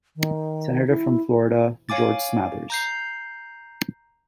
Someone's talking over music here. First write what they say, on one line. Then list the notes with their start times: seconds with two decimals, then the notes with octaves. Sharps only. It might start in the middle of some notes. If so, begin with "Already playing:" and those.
Senator from Florida, George Smathers.
0.16 D#3
0.88 E4
1.89 C#5 F5 G#5 D6 A6
2.70 A#5 G6 C7